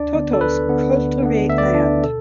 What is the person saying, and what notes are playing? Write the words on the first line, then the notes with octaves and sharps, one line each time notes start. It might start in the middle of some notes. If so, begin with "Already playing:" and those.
Totos cultivate land.
Already playing: D2 D4 D5
D3 B3
A4
D2 B4
D3 B3
D2
D3 B3
D2 E5
D5
B4
D3 B3 D4 D5
B2 A4